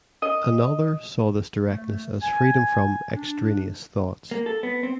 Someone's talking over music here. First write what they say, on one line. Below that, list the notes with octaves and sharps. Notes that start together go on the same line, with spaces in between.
Another saw this directness as freedom from "extraneous thoughts".
D#5
A3
G#5
D4
A#3
A4
B3
C4